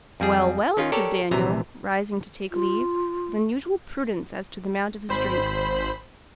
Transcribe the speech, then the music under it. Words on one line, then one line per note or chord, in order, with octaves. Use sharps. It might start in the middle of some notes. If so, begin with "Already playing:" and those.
'Well, well!' said Daniel, rising to take leave, with unusual prudence as to the amount of his drink.
F2 G3 G#4
D#3 C#4 F4
G4 A4 A#4 C#5 D5
A#1 C3 E3 A#5
F4
G#1 C5 B5